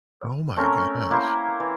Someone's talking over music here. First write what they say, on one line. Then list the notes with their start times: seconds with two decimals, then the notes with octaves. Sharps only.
Oh my gosh.
0.57 A3 C4 C#4 A#4
1.10 A#3 E4 C5
1.60 E3